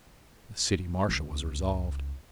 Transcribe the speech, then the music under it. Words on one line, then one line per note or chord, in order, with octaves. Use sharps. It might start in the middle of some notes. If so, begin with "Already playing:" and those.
The city marshal was resolved.
C#2